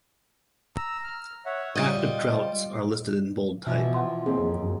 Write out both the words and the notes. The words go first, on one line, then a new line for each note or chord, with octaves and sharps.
Active droughts are listed in bold type.
A#5 E6
F6
C#5 E5 F#5
G3 F4 D#5
B2 E3 F3
F#5 C6
D#2 C4 G#4
F2
F#2